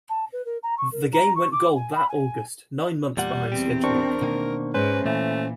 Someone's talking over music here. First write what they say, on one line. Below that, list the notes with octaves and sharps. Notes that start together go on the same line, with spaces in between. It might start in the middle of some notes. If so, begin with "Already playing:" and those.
The game went gold that August, nine months behind schedule.
A5
B4
A#4
A#5
C#6
A#4
A#5
C#6
D6
G#5
B5
G#5
E2 A#2 G3 F#5
E2 C4 G4
D4 A#4 C5 C#6
B2 D#3 A#3
G#2 C#4 B4 C5
A#2 E3 A3